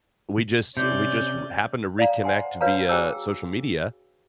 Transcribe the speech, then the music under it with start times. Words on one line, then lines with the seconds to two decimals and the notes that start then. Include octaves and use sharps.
We just we just r happened to reconnect via social media,
0.77 C3 C#4 D5 G6
1.99 D5 F5 A#5
2.24 C5 F#5 G#5 C6
2.61 D4 F#4 B4 C#5 F5 A#5
2.89 F#4 G#4 G5 G#5 A#5 E6